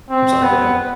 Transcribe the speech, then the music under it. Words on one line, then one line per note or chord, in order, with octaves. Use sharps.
I'm sorry, go ahead.
C4
B3